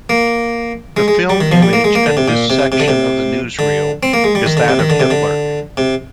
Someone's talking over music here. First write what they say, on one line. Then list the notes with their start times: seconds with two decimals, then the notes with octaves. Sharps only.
The film image at this section of the newsreel is that of Hitler.
0.09 A#3
0.97 G#3
1.08 G#3
1.30 G3
1.40 D#3
1.52 F3
1.62 G3
1.73 A#3
1.84 G#3
1.95 A#3
2.06 D3
2.17 C3
2.28 A#2
2.50 C3
2.72 C3
2.80 D3
2.88 C3
3.59 D3
4.03 C4
4.13 A#3
4.24 G#3
4.35 G3
4.46 D#3
4.57 D3
4.68 C3
4.79 D#3
4.90 D3
5.00 C3
5.11 D3
5.77 C3